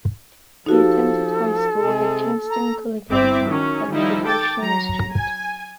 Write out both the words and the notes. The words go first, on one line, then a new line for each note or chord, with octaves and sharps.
He attended high school at Kingston Collegiate and Vocational Institute.
F3 D#4 F#4 G4 A4
C3 G#3 G#4
A#5
G1 C4 E4 E5 D6
D#3 F#3 C#4
D#3 F3 G3 D#4 E4
A4 G5 D6 A6
F#3 A#5
G#5